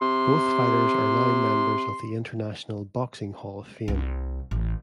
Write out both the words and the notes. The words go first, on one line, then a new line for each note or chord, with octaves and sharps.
Both fighters are now members of the International Boxing Hall of Fame.
C3 C6
C2
A1